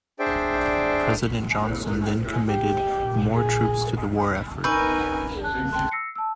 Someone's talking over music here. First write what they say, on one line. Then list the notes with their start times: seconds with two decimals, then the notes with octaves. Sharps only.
President Johnson then committed more troops to the war effort.
0.19 D4 G#4 C5 D5 E5 G5
2.47 G4
2.99 A#2
3.35 G#4
4.64 D#4 A#4 B4 G#5 C#6 E6 G6
5.43 A5 F#6
5.72 G5 A5 C6 F#6
5.91 E6 A#6 C7 C#7
6.16 A5 E6